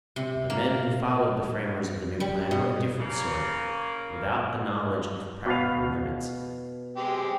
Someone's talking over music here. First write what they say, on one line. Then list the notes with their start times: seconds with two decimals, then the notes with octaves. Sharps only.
But the men who followed the framers of the new plan were a different sort, without the knowledge of practical limits.
0.16 C3
0.50 A#3
2.20 G3
2.51 B2
2.99 C#3 A#3
5.46 B2 B3 F5
6.97 G#3 C4 G4